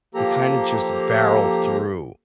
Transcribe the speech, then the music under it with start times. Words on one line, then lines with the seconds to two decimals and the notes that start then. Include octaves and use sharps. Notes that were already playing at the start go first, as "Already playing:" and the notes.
they kinda just barrel through-
0.15 F3 A#3 G4 A4 A#5